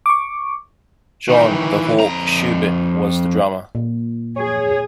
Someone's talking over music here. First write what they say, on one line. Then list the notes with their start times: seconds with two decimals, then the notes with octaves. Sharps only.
John "the Hawk" Schubert was the drummer.
0.06 C#6 D6
1.29 D#3 E3
1.98 F2 A#5
3.75 A#2
4.36 G#4 C#5